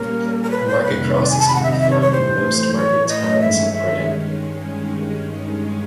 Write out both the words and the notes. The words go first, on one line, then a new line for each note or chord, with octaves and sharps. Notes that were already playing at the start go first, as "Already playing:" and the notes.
Market crosses can be found in most market towns in Britain.
Already playing: A#2 G3 A#3 C#4 A#4
A#4
B4
C5
F2 C3 D#3 G3 B4
B4
D5
G#5
A5
B5
F#5
E5
D#5
E5
C#5
C#5
A2 E3 A3 C5
C#5
D#5
G2 D#3 G#3 C#4 E5
E5